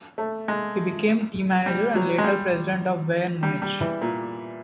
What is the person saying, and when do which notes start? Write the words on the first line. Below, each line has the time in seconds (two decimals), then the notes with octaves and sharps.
He became team manager and later president of Bayern Munich.
0.18 A3
0.48 G#3
1.66 G3
1.95 F#3
2.18 G#3
2.24 G3
3.43 G3
3.62 G3
3.81 E3
4.02 A#2